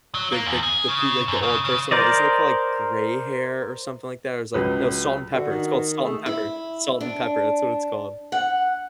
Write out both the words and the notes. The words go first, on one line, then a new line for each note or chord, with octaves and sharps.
the the the pe like, old person one. Isn't it called, like, gray hair, or something like that, or is like No, Salt and Pepper. It's called Salt and Pepper. Salt and Pepper, that's what it's called.
F#3
A#3
E2
G#4
C#3
F#2
C#3
C#3
A#4 C5 D5 D#5
C#2 F#3 B4
D3 F#4
D#3
A3 G#4
E4
D4
F#5